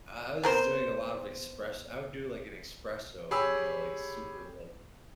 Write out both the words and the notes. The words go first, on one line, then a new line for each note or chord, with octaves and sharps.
I I was doing a lot of express I would do, like, an espresso, you know, like, super, like,
B3 A#4 C5
G4 G#4 C#5 B5 E6